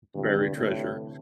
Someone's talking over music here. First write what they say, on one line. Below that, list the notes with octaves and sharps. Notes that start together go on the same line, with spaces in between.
buried treasure,
D2 G2 C3 E3
A2